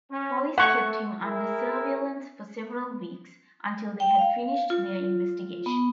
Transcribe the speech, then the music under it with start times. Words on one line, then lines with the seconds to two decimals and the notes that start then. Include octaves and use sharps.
Police kept him under surveillance for several weeks, until they had finished their investigation.
0.10 C#4
0.58 A3 F#5 C#6
1.23 E4 G#4 A#4
4.00 G5
4.19 F5
4.70 F4
5.66 B3